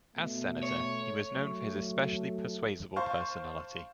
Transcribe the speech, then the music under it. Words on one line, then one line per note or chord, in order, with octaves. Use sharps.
As senator, he was known for his especially persuasible personality.
B2 A3
C#5
F#3 A3
C5 F5 A5 C#6 G6